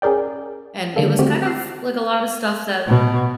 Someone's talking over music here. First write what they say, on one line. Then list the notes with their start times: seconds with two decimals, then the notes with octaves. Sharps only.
and it was kind of, like a lot of stuff that,
0.02 C#4 G#4 A#4 D5 G5
0.96 D3 D#3 G3 A#3 A4
1.19 A3 C4 F#4 G4
1.43 D6 E6 C7
2.87 B2